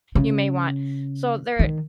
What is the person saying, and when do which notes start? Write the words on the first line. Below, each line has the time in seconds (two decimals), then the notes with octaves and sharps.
you may want. So there
0.15 C#3
1.59 D#3